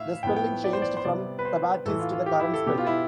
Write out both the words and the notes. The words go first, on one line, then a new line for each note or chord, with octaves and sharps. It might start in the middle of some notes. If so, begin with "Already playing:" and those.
The spelling changed from Sabattis to the current spelling.
Already playing: A2 E5 F5
A2 F3 B3 G5
G5
D5
C5
D5
C5
C3 G3 B3 D5
B4
C5
A2 E3 A3 A4
F4
F4
G4
E4
A4
B2 B3 G4
F4
E4